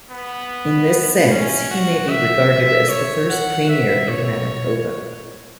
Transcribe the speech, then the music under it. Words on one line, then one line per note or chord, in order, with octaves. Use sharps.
In this sense, he may be regarded as the first Premier of Manitoba.
B3
C#4
F#4
E5
E5
C#5
F#5
E5
C#5